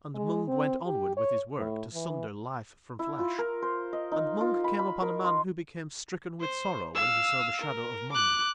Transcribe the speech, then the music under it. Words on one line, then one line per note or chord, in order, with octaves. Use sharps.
And Mung went onward with his work to sunder Life from flesh, and Mung came upon a man who became stricken with sorrow when he saw the shadow of Mung.
G#3
C4
G4
C#5
A2
E3
E4
F4
A#4
C5
D#5
D#4
F4
B5
B5
A#4
C6
C5
F5 E6
A#4
D6 F#6